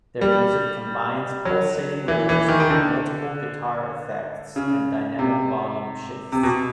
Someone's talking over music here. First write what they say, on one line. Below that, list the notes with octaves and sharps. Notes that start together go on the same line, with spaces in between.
Their music combines pulsating rhythms with multiple guitar effects and dynamic volume shifts.
G3
F#3
E3
E3
D#3
D#3
D3
C#3
C3
C3
B2